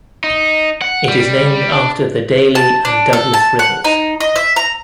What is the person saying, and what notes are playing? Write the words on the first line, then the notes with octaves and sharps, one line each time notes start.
It is named after the Daly and Douglas Rivers.
D#4
F#5
G3
D4
A5
D4
A4
A5
F#5
D#4
D#5
E5
A#5